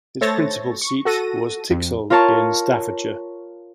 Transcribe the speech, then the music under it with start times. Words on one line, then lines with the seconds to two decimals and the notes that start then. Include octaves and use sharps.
His principal seat was Tixall in Staffordshire.
0.21 A3 A4 C5 C#5 A6 A#6
0.81 C#6
1.05 F#4 A4 A#6 D#7
1.70 F2
2.10 F4 A#4 C#5 A5 C#6